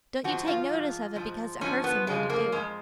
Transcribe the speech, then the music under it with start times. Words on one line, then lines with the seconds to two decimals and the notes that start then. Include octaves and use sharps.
Don't you take notice of it, because it hurts him when you do.
0.24 G#2 F3 F#4
0.47 F4
0.70 G#2 F3
1.16 G#2 F3
1.61 G#2 F3 C#4
1.84 B3
2.07 F2 C#3 F3 G#3
2.30 A#3
2.52 F2 C#3 F3 G#3